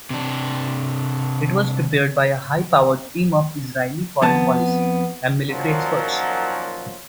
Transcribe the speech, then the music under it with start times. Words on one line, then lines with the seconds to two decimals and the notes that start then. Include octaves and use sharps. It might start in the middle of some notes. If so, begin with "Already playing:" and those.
It was prepared by a high-powered team of Israeli foreign policy and military experts.
0.10 C3 D4
4.22 F2 B3 A5
5.49 F#2 A#2 D#3 F3 F#3